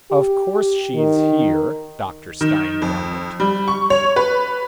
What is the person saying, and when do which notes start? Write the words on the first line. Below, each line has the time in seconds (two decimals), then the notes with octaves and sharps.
"Of course she's here!" Dr. Stine grumbled.
0.11 G4
0.96 D#3
2.41 D#3
2.82 F2
3.40 G3
3.68 C#6
3.90 C#5
4.16 B4